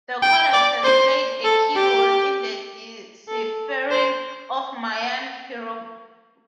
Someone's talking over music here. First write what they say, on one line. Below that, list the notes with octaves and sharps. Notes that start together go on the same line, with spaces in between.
The codex has played a key role in the deciphering of Mayan hieroglyphs.
G5
D5
C5
A4
G4
A4
C5